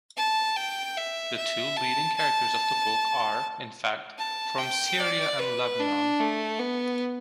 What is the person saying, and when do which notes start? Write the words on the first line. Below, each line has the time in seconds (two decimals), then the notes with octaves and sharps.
The two leading characters of the book are, in fact, from Syria and Lebanon.
0.17 A5
0.57 G5
0.97 E5
1.37 E5
1.77 A5
2.17 A5
4.18 A5
4.58 G5
4.99 D5
5.39 B4
5.79 D4
6.20 A3
6.59 B3